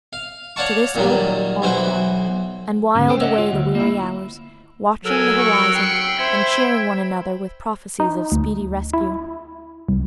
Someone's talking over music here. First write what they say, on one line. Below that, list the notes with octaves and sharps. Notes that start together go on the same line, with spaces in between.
To this hope all clung, and wiled away the weary hours, watching the horizon and cheering one another with prophecies of speedy rescue.
F5
C#5 D5 F5 F#5 A5 C#6
A#2 D#3 F#3 G3
B1 E3 F#4 C5 G5
D2 G#2 C#3
A4 C5 G5
C#5 D#5 E5 F#5
F4
D2
A#3 E4
F#3 A4 A#4 G#5 E6
C#6
G5 B5 C7 C#7
C5 E5 G#6
D#4
D2
E4
C2